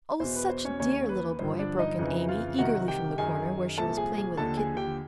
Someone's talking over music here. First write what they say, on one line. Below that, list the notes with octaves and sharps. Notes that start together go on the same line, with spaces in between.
"Oh, such a dear little boy," broke in Amy eagerly from the corner, where she was playing with her kitten.
E2 B2 C5
B4
C5
C#4 C#5
D#2 D#3 C#4 C#5
B4
G2 D3 F3 C5
D4 D5
D#4 D#5
F2 C#3 E3 D#4 D#5
F4 F5
C2 C3 D#3 F#4 F#5
G4 G5
F#2 D#3 G#4 G#5
C2 A#2 F3 A4 A5
G#4 G#5
G#4 G#5
D#2 D3 F3 A4 A5
G#4 G#5
G4 G5